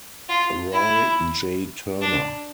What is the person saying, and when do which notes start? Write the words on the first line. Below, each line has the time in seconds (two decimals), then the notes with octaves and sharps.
Roy J. Turner.
0.29 F4
0.72 E4
2.01 D4